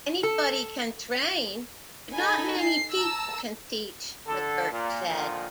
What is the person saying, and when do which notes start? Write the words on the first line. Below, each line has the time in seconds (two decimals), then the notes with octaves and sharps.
"Anybody can train but not many people can teach," McGirt said.
0.23 A4
2.13 D#4 A4 G#5 B5
2.60 C7
2.93 A5 A#5 E6
4.27 D3 A4
4.71 A#2
5.07 A#2 D3 D#3 F3